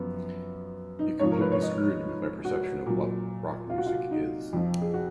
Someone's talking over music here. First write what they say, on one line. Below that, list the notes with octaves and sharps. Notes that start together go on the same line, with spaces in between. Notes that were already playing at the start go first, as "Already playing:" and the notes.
It completely screwed with my perception of what rock music is.
Already playing: F#2 F3 B3
D#4
G#2 F3 C#5
A#4
B4
C#5
D#5
F#4
A#2 F#3
F4
F#4
F4
D#4
F2 F3
G#4
F#4